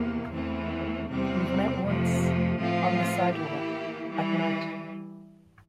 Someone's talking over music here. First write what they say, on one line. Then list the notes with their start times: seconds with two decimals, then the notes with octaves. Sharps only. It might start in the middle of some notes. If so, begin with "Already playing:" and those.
We've met once - on the sidewalk at night.
Already playing: E2 C3 E3 A#3
0.33 E2 E3 A3 C4
1.10 E2 C3 G3 C4
1.84 F2 C3 F3 A3
2.60 A2 F3 A3 C4 F4
3.35 E3 A#3 E4 G4
4.11 E3 G3